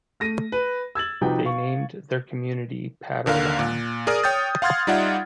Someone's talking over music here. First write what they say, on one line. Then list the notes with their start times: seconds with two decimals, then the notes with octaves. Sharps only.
They named their community Parowan.
0.20 A3 A#6 D#7
0.52 B4
0.95 E6 G#6 A6 F#7
1.21 C3 F3 D#4 F#4 B4 G5
1.45 F5 C#6
3.26 D#2 D3 A#4 F5 F#6
3.59 A#2
4.07 G#4 A#4 D5 D#6 F6
4.23 C#5 G5 D#6 G6 A6
4.62 F5 F#5 C6 F6 G#6 A6
4.87 G3 D#4 F4 D5 E5 F#5